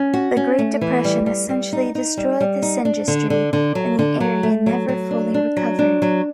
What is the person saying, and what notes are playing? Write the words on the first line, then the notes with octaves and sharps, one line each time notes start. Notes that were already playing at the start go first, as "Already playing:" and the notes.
The Great Depression essentially destroyed this industry and the area never fully recovered.
Already playing: C#4
F#4
C#4
A3
E3
G3
G3
G3
D#4
D#4
G3
G3
D#4
D4
D3
D3
D3
F#3
D3
F#3
A3
F#3
F#3
D4
D4
F#3
D4
F#3